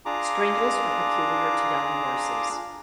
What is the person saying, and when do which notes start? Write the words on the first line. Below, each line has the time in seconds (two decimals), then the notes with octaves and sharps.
Strangles are peculiar to young horses.
0.06 D4 F4 G#4 A#5 D6